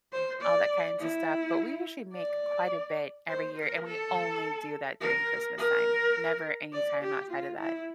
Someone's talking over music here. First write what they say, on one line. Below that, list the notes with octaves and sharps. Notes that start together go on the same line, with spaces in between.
all that kinds of stuff, but we usually make quite a bit every year, and we only do that during Christmastime. Never any time outside of that.
C5
D5
E4
D5
C5
A#4
A4
A#4
A#4
D5
G4
F4
E4